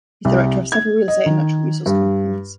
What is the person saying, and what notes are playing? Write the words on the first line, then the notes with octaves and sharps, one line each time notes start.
He is the director of several real estate and natural resource companies.
C2
G#6
D#5
D#3
G2